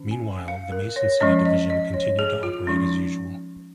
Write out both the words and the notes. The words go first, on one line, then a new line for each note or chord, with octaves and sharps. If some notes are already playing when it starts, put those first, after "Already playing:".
Meanwhile, the Mason City Division continued to operate as usual.
Already playing: D#3 C#4
G#5
F5
A#4
C#5
F3 G#3 C#4 D#5
D#5
D#5
C#5
G#4
F4
F3 G#3 C#4 D#4